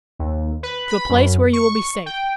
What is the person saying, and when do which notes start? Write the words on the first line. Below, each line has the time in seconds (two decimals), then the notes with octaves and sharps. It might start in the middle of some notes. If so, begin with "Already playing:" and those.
"To a place where you will be safe."
0.19 D#2
0.63 B4
0.90 B5
1.09 F#2
1.53 C#6
2.06 G5